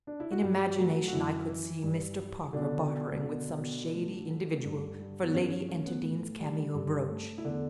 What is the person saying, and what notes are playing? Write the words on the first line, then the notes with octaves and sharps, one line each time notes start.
In imagination I could see Mr. Parker bartering with some shady individual for Lady Enterdean's cameo brooch!
D4
E4
F#4
G2 G3 G4
F#3 A3 F#4
F#4
F#2 E3 E4
E3
G2
G3
B2 D3 D4
B2
B2
B2
A2
A3
G2
G3
B3
G2 C#4
A3 C#4
B3
A2
G3
G2
A3
E4
E2 D3 D4